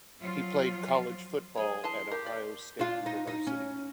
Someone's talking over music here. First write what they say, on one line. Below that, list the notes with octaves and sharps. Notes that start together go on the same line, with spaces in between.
He played college football at Ohio State University.
F3 F#3 F4
G#4 C#5
E3 A5 C6
G4 A#4
D5
D4 F4
D#4
D#4
C#4